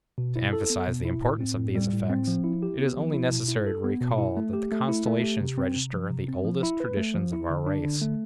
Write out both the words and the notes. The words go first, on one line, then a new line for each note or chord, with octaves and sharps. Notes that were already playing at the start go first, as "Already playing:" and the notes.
To emphasize the importance of these effects it is only necessary to recall that the constellations register the oldest traditions of our race.
B2
E4
A4
B3
B2
E4
A2
C4
A2
G3
A2
C4
F3
E4
G4
B3
F3
E4
B2
E4
A4
B3
B2
E4
A3
G4
A3
E4
A3
G4
C3
C4
C3
F3
C3
C4
F3
E4
B4
A3
F3
E4
D3
D4
D3
A3